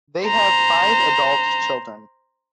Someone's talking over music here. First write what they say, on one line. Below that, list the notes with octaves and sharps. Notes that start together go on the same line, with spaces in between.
They have five adult children.
C5 A#5